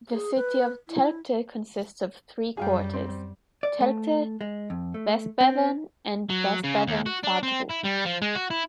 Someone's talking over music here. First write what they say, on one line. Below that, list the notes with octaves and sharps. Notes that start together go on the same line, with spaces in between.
The city of Telgte consists of three quarters: Telgte, Westbevern and Westbevern Vadrup.
G#4
B4
E4
F#2 G3 G#4 F5 G5
C4
D5
A3
G#3
F2
A3
C4
F#3
C#3
D#2
F#4
D4
C4
E4
G3
F3
G#3
F#4
E4